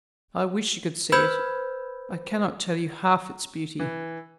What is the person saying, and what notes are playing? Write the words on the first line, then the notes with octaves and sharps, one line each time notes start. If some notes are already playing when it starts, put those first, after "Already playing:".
I wish you could see it. I cannot tell you half its beauty.
B4 C5 B5 E6 G6 G#6
E3